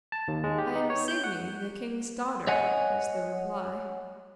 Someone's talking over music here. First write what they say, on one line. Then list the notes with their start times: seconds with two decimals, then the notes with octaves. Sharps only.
'I am Signy, the king's daughter,' was the reply.
0.12 A5
0.28 D#2
0.44 G#3
0.58 G4
0.76 D#4
0.90 C#5
1.08 G6
1.24 F#5
2.47 C#5 D#5 F#5 G#5